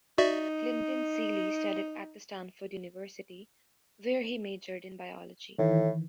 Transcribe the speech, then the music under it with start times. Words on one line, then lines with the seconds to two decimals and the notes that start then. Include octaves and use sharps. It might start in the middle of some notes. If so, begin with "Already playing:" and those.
Clinton Seely studied at the Stanford University, where he majored in biology.
0.18 D#4 F#4 D5 E5
5.59 A2 D#3 E3